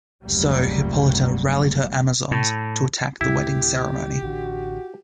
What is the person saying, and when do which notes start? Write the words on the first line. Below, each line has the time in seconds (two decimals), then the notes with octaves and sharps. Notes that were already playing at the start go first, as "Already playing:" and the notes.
So Hippolyta rallied her Amazons to attack the wedding ceremony.
0.23 F1 C#2 G2 F#3 G3 A#3
2.31 A2
3.21 D2 A2 C3 E4 G4
4.22 A1 D3 F#4